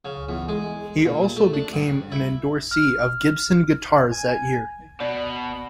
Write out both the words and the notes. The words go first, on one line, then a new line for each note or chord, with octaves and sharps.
He also became an endorsee of Gibson Guitars that year.
C#3
E2
G#3
A#2
A3
D4
G2
E4
F6
G#5
B2 D5